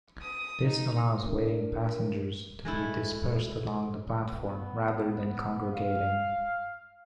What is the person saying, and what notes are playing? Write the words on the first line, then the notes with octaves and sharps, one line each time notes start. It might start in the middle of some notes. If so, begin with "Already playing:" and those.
This allows waiting passengers to be dispersed along the platform rather than congregating.
D#6
D#4
D4 A#4
G#3 A3 E4
B3
F5